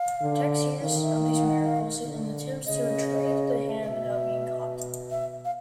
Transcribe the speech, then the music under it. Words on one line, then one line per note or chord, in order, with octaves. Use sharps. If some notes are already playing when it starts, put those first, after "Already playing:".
Tex hears of these miracles, and attempts to retrieve the hand without being caught.
Already playing: F5
D3
D#3 F5
E5
F5
F5
F#5
F5
D3
C#3 D#5
D#5
B2 E5
E5
F5